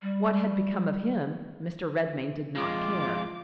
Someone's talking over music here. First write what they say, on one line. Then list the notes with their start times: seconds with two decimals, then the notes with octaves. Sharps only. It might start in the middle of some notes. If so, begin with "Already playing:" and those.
What had become of him Mr. Redmain did not care.
0.02 G3
2.57 F2 G#3 F4 D6